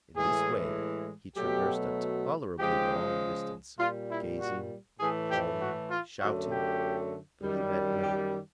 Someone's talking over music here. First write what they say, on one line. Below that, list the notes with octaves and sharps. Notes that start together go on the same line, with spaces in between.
In this way he traversed a tolerably long distance, gazing, calling, shouting, but he met no one.
A2 E3 G#3 G#4
B2 F#3 A3 G4
C#3 F3 G#3 G4
A#2 G3 F4
E4
F#4
A2 E3 A3 G#4
G4
F#4
F4
F#2 D3 F#3 A3 F#4
G4
F#2 D#3 G3
G4